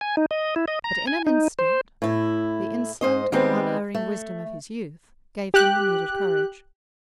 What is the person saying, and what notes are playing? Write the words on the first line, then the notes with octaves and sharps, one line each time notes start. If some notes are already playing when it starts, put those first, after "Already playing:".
But in an instant the insolent and unerring wisdom of his youth gave him the needed courage.
G#5
D#4
D#5
E4
D#5
A#5
G#5
D#4
C5
A2 E4
G#2 C5 D#5
D#3 G3 G#3 B3 C4
A3
G4 F#6